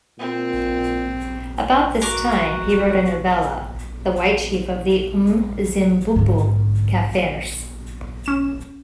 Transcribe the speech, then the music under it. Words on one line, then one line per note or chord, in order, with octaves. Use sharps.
About this time he wrote a novella, "The White Chief of the Umzimbooboo Kaffirs".
A#2 C4
F#4 A#4 D6
G#2 D3
C#4 E7